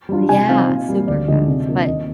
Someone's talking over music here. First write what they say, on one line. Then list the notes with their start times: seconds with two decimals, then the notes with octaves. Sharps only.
Yeah, super fast. But,
0.09 G3 D4 F4
0.29 C3 G#5
0.48 F3 C4 D#4 F5
0.69 A#2
0.89 G3 A#3
1.07 D2 D5
1.28 D3 F3 G#3 D#4 D#5
1.47 C3
1.68 F3 A#3 D4
1.87 D#2 D#5